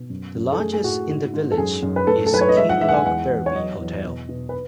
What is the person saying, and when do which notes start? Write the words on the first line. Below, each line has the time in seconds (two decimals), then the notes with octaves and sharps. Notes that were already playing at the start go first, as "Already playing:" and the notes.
The largest in the village is Kinlochbervie Hotel.
Already playing: B2
0.10 F#2
0.35 F#2
0.52 A4
0.59 A3 G#4
0.73 G#4
0.84 A2 F#4
1.09 G#2
1.34 G#2
1.52 A4
1.58 F#2 G#4
1.83 F#2
1.96 B4
2.07 A3 A4
2.26 A4
2.32 F#3 B4
2.41 C#5
2.49 D#5
2.57 G#3 E5
2.69 F#5
2.81 G#3 E5
2.89 F#5
2.94 G#5
3.06 E2 F#5
3.30 E2
3.46 C#5
3.54 F#3 D#5
3.80 E2
4.04 B2
4.29 B2
4.49 B4